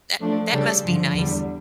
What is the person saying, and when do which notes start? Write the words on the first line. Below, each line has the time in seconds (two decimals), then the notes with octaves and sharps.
That that must be nice.
0.20 F3 A3 D4
0.51 C#3 G3 D4 A4
0.83 G2 D3 F3
1.15 E2 D3 G3